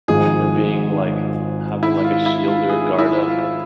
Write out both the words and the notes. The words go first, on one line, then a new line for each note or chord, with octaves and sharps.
for being, like having, like, a shield or a guard up.
G#1 G#2 F3 G#4
E4
F4
E4
F4
G#4
E4
F4